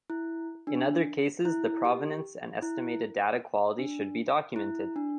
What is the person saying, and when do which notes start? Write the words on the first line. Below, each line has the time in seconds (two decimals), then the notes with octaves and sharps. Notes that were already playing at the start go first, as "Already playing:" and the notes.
In other cases, the provenance and estimated data quality should be documented.
0.10 E4
0.67 D4
1.45 E4
1.85 G4
2.62 E4
3.78 D4
4.56 E4
4.96 D4